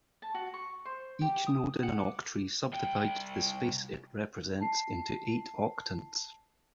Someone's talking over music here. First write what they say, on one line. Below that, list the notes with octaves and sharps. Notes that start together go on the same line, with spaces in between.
Each node in an octree subdivides the space it represents into eight octants.
A5
F#4
C#6
C5
G4
D#6
F#5
D6
C2 G5
A5 C7